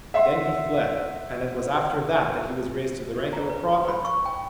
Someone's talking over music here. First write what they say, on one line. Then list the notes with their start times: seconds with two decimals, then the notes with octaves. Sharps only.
Then He fled, and it was after that that He was raised to the rank of a Prophet!
0.14 E5 F#5 C6
3.33 A#5
3.49 B4
3.88 B5
4.05 C#6
4.26 G5